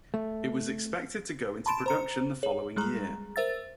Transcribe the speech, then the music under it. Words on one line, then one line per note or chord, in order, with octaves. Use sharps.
It was expected to go into production the following year.
A3
A5 B5 C6 A6 D7 E7
C5 A#5 C#7
G#4 C#5
G3 G#3 G#4 A#5
A#4 C5 E5 E6 A6